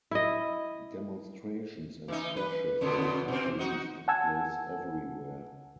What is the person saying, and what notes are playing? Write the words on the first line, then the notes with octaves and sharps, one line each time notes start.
Demonstrations and clashes with the police took place everywhere.
E4 D#5
E3 D#4
B4
F2 B2 D3
B2 C4
D#4 F#4
F#5 G#5 A5 E6 G#6